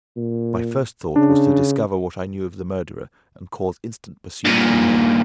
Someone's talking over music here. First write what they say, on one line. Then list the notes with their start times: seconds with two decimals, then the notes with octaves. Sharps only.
My first thought was to discover what I knew of the murderer, and cause instant pursuit to be made.
0.17 A#2
1.16 C#3 D4
4.45 G2 A#2